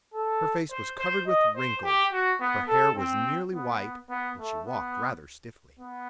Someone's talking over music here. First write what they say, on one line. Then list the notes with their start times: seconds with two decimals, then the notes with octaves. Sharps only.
Her face was covered with wrinkles, her hair was nearly white, and she walked rather stiffly.
0.14 A4
0.71 C5
0.99 C5
1.27 D#5
1.56 C5
1.84 G4
2.13 F#4
2.40 B3
2.68 A4
2.96 C4
3.54 B3
4.10 B3
4.39 A3
4.66 B3
5.79 B3